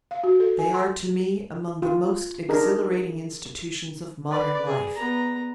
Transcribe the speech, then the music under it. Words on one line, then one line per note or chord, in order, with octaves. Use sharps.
They are to me among the most exhilarating institutions of modern life.
F5
F#4
A4
G#5
C6
F4
D4 D#4 G#4 A#4
B4 D5
G#4
B3 A#5